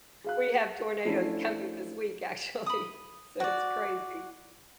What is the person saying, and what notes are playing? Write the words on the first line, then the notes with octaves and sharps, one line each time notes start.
We have tornadoes coming this week, actually, so it's crazy.
G#4 F5 F#6
F3 A3 C#4 D4 E4 F4
B5 D#6
F#4 D5